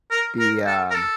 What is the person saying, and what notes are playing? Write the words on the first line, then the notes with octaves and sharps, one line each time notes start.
be, um,
A#4
A#4
A4
A#4
A4